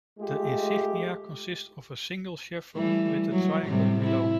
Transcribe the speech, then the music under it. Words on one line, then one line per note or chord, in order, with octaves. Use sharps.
The insignia consist of a single chevron with a triangle below.
G#3 A3 F4 G4
E3 G3 A3
F#3
A2 C3 G3
C3 E4